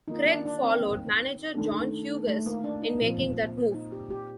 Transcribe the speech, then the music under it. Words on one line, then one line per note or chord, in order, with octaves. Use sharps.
Cregg followed manager John Hughes in making that move.
D#3 A#3 D#4 F4
D4
D4
C4
A#3
D#3 A3 D4 A4
A3
A#3
D4
D#4
A#2 F3 C4
A#3
D#4
G4
G4